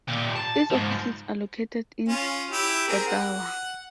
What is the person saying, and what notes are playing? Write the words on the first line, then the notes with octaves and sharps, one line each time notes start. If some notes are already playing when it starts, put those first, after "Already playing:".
Its offices are located in Ottawa.
A#2 G4
A5
G#2 F3
C#4 F4
E4 G4
C4 G#4 A#4
F#5